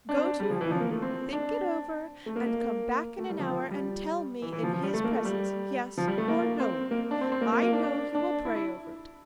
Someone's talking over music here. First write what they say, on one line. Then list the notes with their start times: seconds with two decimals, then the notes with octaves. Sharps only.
Go to your room, think it over, and come back in an hour and tell me in his presence: yes or no. I know you will pray over it.
0.09 D4
0.17 C4
0.24 D4
0.40 G3
0.50 F3
0.61 E3
0.71 F3
0.80 A#3
0.91 A3
1.02 C4
1.33 D4
2.26 A3
2.36 A#3
2.46 A#3
3.18 A3
3.29 G3
3.39 F3
3.49 F3
3.71 G3
4.42 E3
4.52 E3
4.63 F3
4.73 F3
4.83 G3
4.94 A3
5.04 A#3
5.15 A3
5.25 G3
5.97 F3
6.07 G3
6.18 A3
6.28 A#3
6.60 C4
6.91 A#3
7.11 D4
7.21 C4
7.32 C4
7.41 A#3
7.52 A#3
7.62 A#3
7.73 D4
7.83 D4
8.15 D4
8.45 E4
8.56 E4